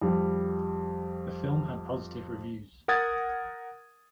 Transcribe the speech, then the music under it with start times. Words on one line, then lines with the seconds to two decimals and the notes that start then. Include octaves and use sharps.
The film had positive reviews.
0.02 F2 G3
2.88 A#4 F#5 D#6 G#6 A6